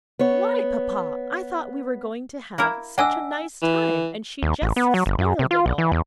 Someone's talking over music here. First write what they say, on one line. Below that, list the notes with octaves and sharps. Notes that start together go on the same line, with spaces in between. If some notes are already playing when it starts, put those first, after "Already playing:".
"Why, papa, I thought we were going to have such a nice time, and she just spoiled it all."
B3 C#5
A#3 E4 A#4
D4 D#5 F#5 G#5 E6
E3
D#2
A1
B3
F#3
G1
F#2
C3
F4
B1
E3
E2